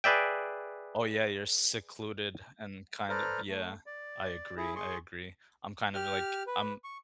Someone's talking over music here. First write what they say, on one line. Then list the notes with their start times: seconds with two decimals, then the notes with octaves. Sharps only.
Oh, yeah, you're secluded and kind of yeah. I agree, I agree. I'm kind of, like I'm
0.04 G#4 B4 D5 E5 G5
3.09 A4 B4 C5 D5 A#5 F6
3.48 A3
3.86 D5
4.57 E4 G#4
4.76 G#4 C6 C#6
5.94 G4 F6
6.47 B4
6.84 C#6